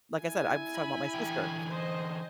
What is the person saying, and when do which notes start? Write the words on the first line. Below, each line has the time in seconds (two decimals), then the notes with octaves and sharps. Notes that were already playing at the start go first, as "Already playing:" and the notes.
like I said, I was talking about my sister.
0.22 E4 G#5
0.72 B5
1.15 D3 E3 G5
1.71 C5 D#5